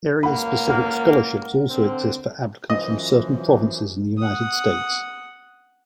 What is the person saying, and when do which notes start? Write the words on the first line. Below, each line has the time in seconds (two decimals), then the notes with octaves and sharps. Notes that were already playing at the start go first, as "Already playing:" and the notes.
Area-specific scholarships also exist for applicants from certain provinces and the United States.
0.23 C#2 A#3 F#5 B5
0.67 A#4 F#5 F6
1.69 D3 C4
2.70 F#2 E3 F3 D#5
4.18 F#5 D#6